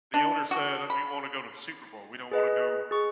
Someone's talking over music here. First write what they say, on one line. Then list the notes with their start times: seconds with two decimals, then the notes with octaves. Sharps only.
the owner said that, "We wanna go to the Super Bowl, we don't wanna go
0.14 D4
0.51 F#4
0.90 B5
2.31 G#4 B4 D#5
2.91 G#4 C#6